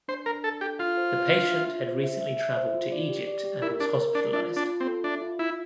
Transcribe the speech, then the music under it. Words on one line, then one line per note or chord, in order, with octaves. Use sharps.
The patient had recently traveled to Egypt and was hospitalized.
D4 C5
D4 A#4
D4 A4
G4 A4
F4 F5
C5
F5
D4
E5
F4
C5
E5
E5
E5
C5
F4
D5
G4
D5
G4
E4 A#4
D4 A#4
A#4
D4 D5
D4 F4
F4
D4
F4
C4
A4
D4 E5
F4
E4 F4